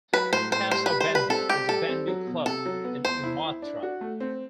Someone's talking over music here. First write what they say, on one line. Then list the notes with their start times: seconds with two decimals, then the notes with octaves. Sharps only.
PaSa Bandy is a bandy club in Imatra.
0.13 F#3 B4
0.32 A2 C5
0.52 A2 C5
0.71 G3 C5
0.86 G3 B4
1.00 C5
1.10 G3
1.15 B4
1.29 C4 A4
1.49 G3 G4
1.68 G3 A4
1.88 C4
2.08 F#3
2.27 B2
2.46 C3 A4
2.66 F#3
2.84 B3
3.05 E2 C5
3.24 E4
3.43 E4
3.62 D4
3.83 F#4
4.01 A3
4.20 C4